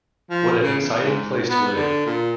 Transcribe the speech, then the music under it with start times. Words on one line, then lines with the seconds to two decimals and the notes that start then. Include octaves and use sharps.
What an exciting place to live.
0.30 F3
0.62 C#3
0.79 E2
1.02 G#2
1.50 B3
1.76 D3
2.06 A#2